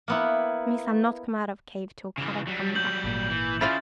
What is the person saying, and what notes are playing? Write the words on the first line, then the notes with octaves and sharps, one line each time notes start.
Missa not come out of cave till Kadok come back.
A#3 B3 E4
C#3 E3
F#3 G3
G6 F#7
G#1 A#2
E3
C#3 E4 F4 D5 A6